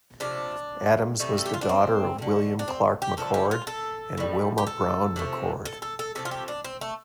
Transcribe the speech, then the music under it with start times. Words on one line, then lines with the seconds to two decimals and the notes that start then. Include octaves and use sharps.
Adams was the daughter of William Clark McCord and Wilmah Brown McCord.
0.20 C3 F3 A3 D4
1.19 C3 G3 A3
1.38 A4
1.46 G4
1.54 F4
1.61 D4
1.69 C4
2.18 D3 A3
2.59 D4
2.68 C4
3.02 G4
3.17 D3 F3 A3 A4
3.34 G4
3.51 F4
3.67 A4
4.17 A2 G3
4.58 G4
4.67 A4
5.16 C3 F3 A3
5.65 A4
5.82 A4
5.99 A4
6.15 C3 F3 A3 A4
6.25 F4
6.31 G4
6.48 D4
6.64 C4
6.81 A3